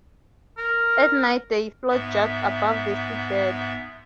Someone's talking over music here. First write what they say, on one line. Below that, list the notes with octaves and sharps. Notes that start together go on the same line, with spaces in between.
At night they float just above the seabed.
A#4
G#2 B3 E5